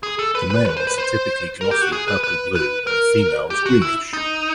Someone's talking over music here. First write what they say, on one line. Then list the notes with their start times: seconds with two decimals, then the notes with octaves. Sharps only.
The males are typically glossy purple-blue and the females greenish.
0.03 G#4
0.19 A4
0.35 B4
0.51 B4
0.66 B4
0.77 C5
0.87 B4
0.98 C5
1.61 A#4
1.71 G4
1.81 F#4
1.92 G#4
2.08 B4
2.24 B4
2.55 B4
2.87 A#4
3.50 G4
3.66 F#4
3.82 E4
4.13 D#4